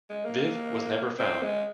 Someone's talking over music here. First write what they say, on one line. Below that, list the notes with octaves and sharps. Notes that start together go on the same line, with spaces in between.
Viv was never found.
G#3
A#3
C4
G#3